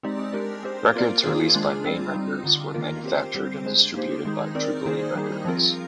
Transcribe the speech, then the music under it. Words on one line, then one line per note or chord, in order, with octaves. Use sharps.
Records released by Maine Records were manufactured and distributed by Jubilee Records.
G#3 C4 D#4 G4 D5
G#3 D4 G4 A#4
C4 G4 C5
A#3 F4 A#4 D5
D#3 A#3 F4 G#4 C5
G#3 D4 F4
G3 C4 F4
G3 C4 D#4
D3 G3 D4 F4
D#3 A#3 F4 A#4
C4 G4 C5
D3 G3 C4 G4 C5
G#3 D4 G#4 C5
A#3 D#4 G4 C5
D#3 G#3 D#4 G#4
C4 D#4 A#4 D5
D#3 A#3 D#4 G#4 C5
D#3 G3 A#3 D#4 G#4
F3 C4 F4 A#4